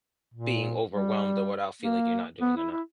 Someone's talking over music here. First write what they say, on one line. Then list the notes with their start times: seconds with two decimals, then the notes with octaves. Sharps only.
being overwhelmed or without feeling, like, you're not doing enough.
0.34 A#2
0.93 G3
1.82 A#3
2.41 B3
2.57 E4
2.71 E4